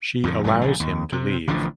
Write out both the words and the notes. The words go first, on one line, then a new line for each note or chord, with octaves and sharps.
She allows him to leave.
F2 A2 D3
F1 G#2 F#3 A3
A#1 D3
D#2
C3
A1 D3 F3 D4